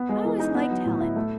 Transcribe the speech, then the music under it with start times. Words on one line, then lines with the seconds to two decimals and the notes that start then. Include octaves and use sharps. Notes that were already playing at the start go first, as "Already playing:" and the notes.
I always liked Helen.
Already playing: B3
0.09 G#3
0.25 E3
0.40 D#4
0.55 B3
0.71 F#3
0.85 A2
1.01 E4
1.16 A3